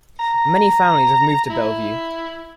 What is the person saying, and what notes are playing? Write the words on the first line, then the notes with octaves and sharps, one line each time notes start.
Mainly families have moved to Bellevue.
A#5
E4